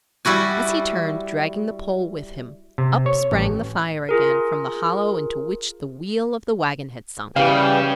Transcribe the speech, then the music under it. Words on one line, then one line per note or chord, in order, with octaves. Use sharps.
As he turned, dragging the pole with him, up sprang the fire again from the hollow into which the wheel of the wagon had sunk.
G3 E4 F#4 G#5
C3
C#5
A1
F4 G#4 A#4
C#3 E3 G3 G4 F5 G5